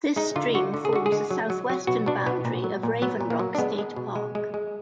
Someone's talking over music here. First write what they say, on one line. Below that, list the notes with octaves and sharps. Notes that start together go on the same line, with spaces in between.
This stream forms the southwestern boundary of Raven Rock State Park.
G#3 D#4
D3 F4
D3 F#4
D3
G#4
D3 F#4
G#4
G#3
F#3
F#3
F#3
B2 F#4
B2 D4
B2 B3
A#2
F#3
A#2
F#3 B3
A#2
A#3
F#3
D4
G#3 B3
G#3
B2
G#3
G#3
G#3